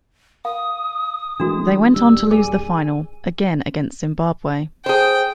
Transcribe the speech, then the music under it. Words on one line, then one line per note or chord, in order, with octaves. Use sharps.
They went on to lose the final, again against Zimbabwe.
F5 D#6
E3 G#3 A3 D4 F#4
D#1 G3 E6
G#4 G#5
G#4 C5 G5